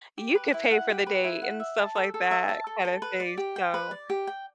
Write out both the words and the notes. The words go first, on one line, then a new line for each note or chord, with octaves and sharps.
you could pay for the date" and stuff like that kinda thing, so
G4
B4
E4
F#5
G4
B4
E4
F#5
E5
A5
A4
A4
E5
A5
A4
A4
B4
D5
G4
G5
B4
D5
G4
G5